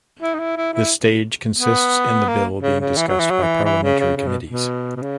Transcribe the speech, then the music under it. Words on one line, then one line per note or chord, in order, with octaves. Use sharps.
This stage consists in the bill being discussed by parliamentary committees.
E4
D#4
E4
E4
E4
B3
A#3
C#3
C#3
E3
F#3
E3
F#3
E3
E3
C#3
C#3
C#3
B2
B2
B2
C#3